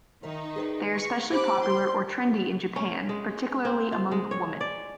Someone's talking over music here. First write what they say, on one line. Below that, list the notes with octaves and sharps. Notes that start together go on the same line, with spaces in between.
They are especially popular or trendy in Japan, particularly among women.
D#3 D#4 A#4 E5
G#4 B4 D5
C#6
G4 C5 G#5 B5 D6 F#6
C6
C#4
G#3
C4
F4
G#3
C#5
D5